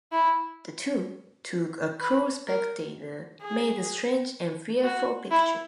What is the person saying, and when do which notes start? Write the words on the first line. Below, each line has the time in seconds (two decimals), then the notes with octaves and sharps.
The two, to a cool spectator, made a strange and fearful picture.
0.12 E4
2.01 B4
2.48 A#4
3.42 G#4
4.84 F#4
5.31 E4